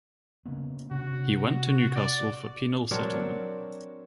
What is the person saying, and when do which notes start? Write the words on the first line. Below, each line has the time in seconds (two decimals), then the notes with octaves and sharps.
He went to Newcastle for penal settlement.
0.46 C#3 A#3 B3
0.91 C3 D4 F#4
1.95 D5
2.91 F#3 C4 D4 A#4